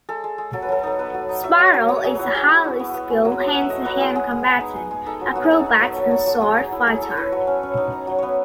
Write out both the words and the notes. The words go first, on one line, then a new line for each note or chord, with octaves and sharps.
Spiral is a highly skilled hand-to-hand combatant, acrobat, and sword fighter.
G#3 A4
G#3
G#3
F#3 A4
B4
F#3 A4
D#4 A4
B3 B4
F#3
D#4
F#3 E5
F#3 D#5
F#3 C#5
F#3 C#5
F#3 G#4
E4 F#4
G#3 F#4
E4
E4
B3
B3
G#3
F#3
F#3
F#3 F#5
E5
A3 D#5
F#3 B4
E4 G#4
G#3 G#4
B3
G#3
D#4
G#3
G#3
D#4 A4
F#3
B3 F#4
G#4
D#4 A4
D#4
F#3
F#3 A4
F#3
F#3
F#3 G#4
F#3
E4
A4
F#3 G#4
E4 A4
C#5
E4 B4
F#3 C#5
C#4
C#4
D#4
D#4
F#3
B3 B4 C#5